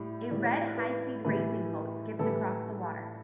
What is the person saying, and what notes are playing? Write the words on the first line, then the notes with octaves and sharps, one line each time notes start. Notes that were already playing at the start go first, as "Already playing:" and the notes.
A red high speed racing boat skips across the water.
Already playing: A2 G3
A2 E3 G3 D5
C#5
D5
B4
A2 E3 G3 B4
A2 E3 G3 A4